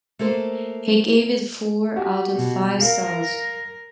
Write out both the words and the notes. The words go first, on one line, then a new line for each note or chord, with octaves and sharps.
He gave it four out of five stars.
A3 A#3 A4 C5
F#4 G4
B2
A#4 F5